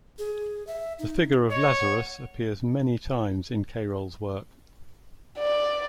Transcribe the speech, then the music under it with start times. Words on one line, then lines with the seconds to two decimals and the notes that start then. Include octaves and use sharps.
The figure of Lazarus appears many times in Cayrol's work.
0.19 G#4
0.67 E5
0.99 D#4
1.50 C#5 D#5
1.80 F#5
5.39 D5